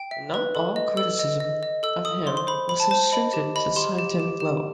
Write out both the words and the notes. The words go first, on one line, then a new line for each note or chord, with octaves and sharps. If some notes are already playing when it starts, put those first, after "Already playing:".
Not all criticism of him was restricted to the scientific level.
Already playing: G5
E5
B4
A4
D#5
A4 E6
D#5
D#5
D#5
A4 E6
A4 D#6
C5 C6
C6
C5 B5
C5 B5
A5
C5 A5
D#5 B5
G4
D#5 B5
G4 C6
G4
G4
G4